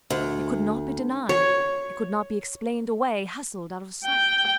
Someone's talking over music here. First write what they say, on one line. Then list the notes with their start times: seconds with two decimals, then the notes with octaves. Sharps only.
It could not be denied; it could not be explained away, hustled out of sight.
0.10 D2
1.29 C#5
4.05 G5